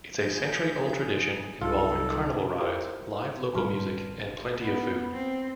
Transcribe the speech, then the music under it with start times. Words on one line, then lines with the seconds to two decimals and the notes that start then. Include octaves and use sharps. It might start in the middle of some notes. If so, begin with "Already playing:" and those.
It's a century-old tradition involving carnival rides, live local music, and plenty of food.
0.19 F3 G#4 G6
1.61 C2 F#3 D#4 F4 A4
2.59 E4 F4 G4 A#4 C5
3.54 G#1 D3 G3 G#4 B4 A5 C6 F6
4.61 B3
5.14 C4